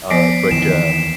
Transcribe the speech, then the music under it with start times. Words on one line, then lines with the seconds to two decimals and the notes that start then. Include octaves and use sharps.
uh, but, uh,
0.10 F3 B3 C5 B6 C7 D7
0.51 E2 D#3 E3 B6 E7